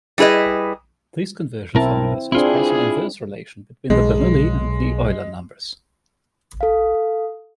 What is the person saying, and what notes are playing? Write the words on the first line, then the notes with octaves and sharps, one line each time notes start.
These conversion formulas express an inverse relation between the Bernoulli and the Euler numbers.
G3 E4 G#4 B4 D#5
B1 C4 E4 A#4 A5
G2 C4 D4 E4 F4 G#4
B1 G#3
A4 F5